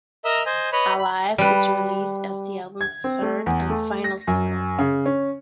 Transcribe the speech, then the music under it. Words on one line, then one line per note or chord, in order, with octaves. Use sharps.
"Alive" was released as the album's third and final single.
A#4 D#5 E5 A#5
C5 D#5 G#5
B4 C#5 D#5 B5
B5
G3 B4
G#6
C4
A3
E2
A3
A#6
F#2
C#3
C#4